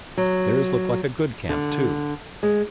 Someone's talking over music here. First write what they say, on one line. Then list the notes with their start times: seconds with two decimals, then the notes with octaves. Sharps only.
Theirs looked like a good camp, too.
0.17 F#3
1.49 D3
2.43 G#3